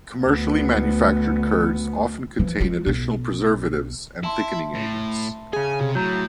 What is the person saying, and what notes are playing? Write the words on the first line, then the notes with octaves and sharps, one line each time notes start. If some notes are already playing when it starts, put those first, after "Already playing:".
Commercially manufactured curds often contain additional preservatives and thickening agents.
D2 B3
E3 F3
G#3 F4
B1
E4 E5 A5 C6
A2
C#3 G#4 G#5
C3
A2 F#3 A#5 G6